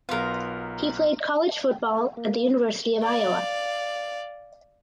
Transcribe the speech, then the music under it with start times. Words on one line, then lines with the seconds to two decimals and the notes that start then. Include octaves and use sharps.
He played college football at the University of Iowa.
0.09 B1 B3 F4 A#4 B4
2.17 A#3
3.03 D5 F5